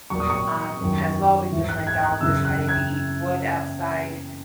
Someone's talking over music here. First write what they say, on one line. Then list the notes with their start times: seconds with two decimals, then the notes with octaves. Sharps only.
um, as well because my dog decided to eat wood outside,
0.10 A#2 F#3 C#6
0.20 D#6
0.30 C#6
0.81 F#2 D#3 F#3
1.52 G#2 E3
1.69 F#6
1.87 G#6
2.03 F#6
2.21 F#2 C#3 E3 E6
2.45 F#6
2.68 G#6